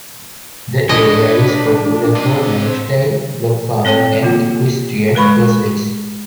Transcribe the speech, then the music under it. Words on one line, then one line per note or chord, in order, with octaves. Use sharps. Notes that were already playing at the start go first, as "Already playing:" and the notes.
The area is popular for lifestyle block farming and equestrian pursuits.
D4 B4 C#5 D#5
C4 D#5
C4 A4 C#5 G5
A#3 F4
G#3 B4 B5 C#6